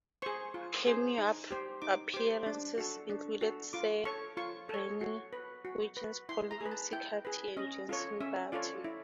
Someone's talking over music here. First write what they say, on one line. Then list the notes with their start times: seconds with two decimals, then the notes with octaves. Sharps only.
Cameo appearances included Sir Bradley Wiggins, Paul McCartney and Jenson Button.
0.22 G#4 C5 C#6
0.54 F4
0.86 G#4 C5
1.18 D#4
1.51 G4 C5
1.82 D#4 D6
2.14 G4 C5 D6
2.46 D4
2.78 F#4 A4
3.09 D4
3.41 F#4 A4
3.73 F4 D6
4.05 A4 C#5 C#6
4.37 F4 C#6
4.69 A4 C#5
5.01 F#4
5.33 B4
5.65 F#4
5.97 B4
6.29 E4 C6
6.51 A#5
6.61 G#4 B4
6.72 A5
6.92 E4 G5
7.25 G#4 B4
7.57 C#4 D#5
7.89 F4 A4 C#5
8.21 C#4 E5
8.52 F4 A4 C#5 D5
8.84 E4